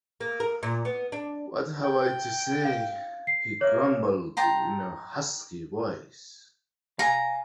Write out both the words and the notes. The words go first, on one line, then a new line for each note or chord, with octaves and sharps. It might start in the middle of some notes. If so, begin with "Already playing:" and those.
"What have I to say?" he grumbled in a husky voice.
A#3
A#4
A#2
B3
D4
G5
F5
C7
A#3 C#5 E5
G5 A5 A#5 C6
F5 G#5 A#5